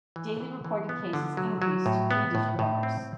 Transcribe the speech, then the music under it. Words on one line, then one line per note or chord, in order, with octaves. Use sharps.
Daily reported cases increased to three digit numbers.
E3
E3
E3
B3
D3
F#3
F#3
A2
B3
A2
A2
C4